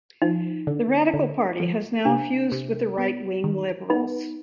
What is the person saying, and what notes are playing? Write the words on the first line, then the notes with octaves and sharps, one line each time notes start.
The Radical Party has now fused with the right-wing Liberals.
F3 D#4
D3
D3
F3
C3 D4
C3
B3
D#3
B3 D#4